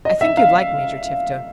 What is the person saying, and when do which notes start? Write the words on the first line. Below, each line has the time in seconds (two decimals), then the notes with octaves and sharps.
I think you'd like Major Tifto.
0.05 D#5
0.21 E5
0.37 F5